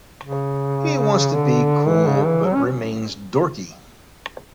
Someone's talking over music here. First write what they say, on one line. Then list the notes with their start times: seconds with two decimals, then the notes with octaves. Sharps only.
He wants to be cool, but remains dorky.
0.23 C#3
1.34 D3
1.89 E3
2.07 C#3
2.26 E3
2.45 F#3
2.54 C#4